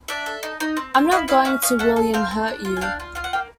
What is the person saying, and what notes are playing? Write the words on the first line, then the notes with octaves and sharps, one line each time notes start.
I'm not going to William Hurt you.
D4 D5 E5
A4
D#4
D#4
C4
C4
E4 D#5 F5
E4 D#5 F5
C#4 E5 F#5
C#4 D#5 F5
A4 E5 F#5
A4
C4 F5 G5
C4
D4
F4
G#5
D4 F5 G5
F4
F4 F5
F#5
A#3 F5 G5